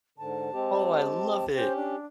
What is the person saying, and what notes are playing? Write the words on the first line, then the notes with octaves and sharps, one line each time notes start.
Oh, I love it.
G#2 D3 A5
G#3 C4 G4
C#4 G4 C5
D4